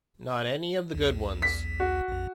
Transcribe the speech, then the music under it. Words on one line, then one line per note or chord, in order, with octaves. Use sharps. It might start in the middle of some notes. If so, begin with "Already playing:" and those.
Not any of the good ones.
B1 E2
B6
F#4
A#1 F2